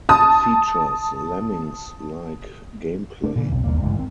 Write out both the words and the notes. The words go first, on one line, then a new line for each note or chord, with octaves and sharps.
It features "Lemmings"-like gameplay.
A5 D#6
A3 D4
A#2 C#3 E3
B1 F2
G1 D#2 A#3
A1 G2 C#3 G#3
D#3 C4